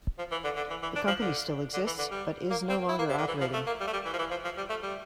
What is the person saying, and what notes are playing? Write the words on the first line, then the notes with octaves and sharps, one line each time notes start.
The company still exists, but is no longer operating.
F3
E3
D3
D3
E3
E3
D4
F3
D3
D3
E3
D3
G3
A#3
C4
E4
A#3
C3
D3
E3
F3
A3
A#3
G3
A3
G3
E3
F3
E3
F3
F3
G3
A3
G3